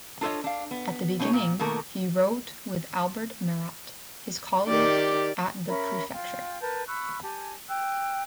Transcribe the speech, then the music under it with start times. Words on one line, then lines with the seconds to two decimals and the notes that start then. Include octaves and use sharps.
At the beginning, he wrote with Albert Mérat, his colleague at the prefecture.
0.21 D4 F4 A4 B4 C#5 D#5
0.44 D4 F5
0.71 B3
1.20 B2 C#4 D#4 C#5
1.33 A#2
1.59 B2 D#3 A3 A#3 A4 A#4
4.68 D#3 G4 D5
5.68 C#4 A#4 E5 B5
6.11 F4 G5
6.62 A#4 B4 A5 G6
6.87 B5 C#6 E6 F#6
7.23 G4 G#5 A5
7.68 G5 E6 F#6